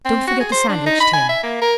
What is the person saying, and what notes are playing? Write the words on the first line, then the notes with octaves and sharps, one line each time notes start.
Don't forget the sandwich-tin!
C4
F#4
G#4
C5
D4
D#4
B5
G#5
E5
A#3
A#4